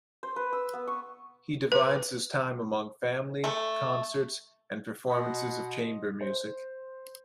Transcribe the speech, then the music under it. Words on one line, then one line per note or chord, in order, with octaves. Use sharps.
He divides his time among family, concerts, and performances of chamber music.
C5
B4
E6
B3
C#6
B4
A3 A4
B2 D#5 F#5 C6 D#6
C5